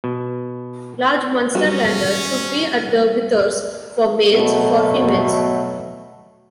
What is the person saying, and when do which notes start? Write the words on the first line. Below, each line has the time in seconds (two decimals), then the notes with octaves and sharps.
Large Munsterlander should be at the withers for males, for females.
0.04 B2
1.55 F#3 G3 B3 C#4 F#4
4.31 B2 F#3 A3